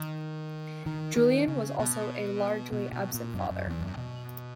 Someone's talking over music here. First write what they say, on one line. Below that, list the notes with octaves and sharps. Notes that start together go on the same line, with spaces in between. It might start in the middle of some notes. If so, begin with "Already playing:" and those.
Julian was also a largely absent father.
Already playing: D#3
D#3
D#3
C#3
B2
B2
B2
A#2
F#2
F#2
E2
F#2
B2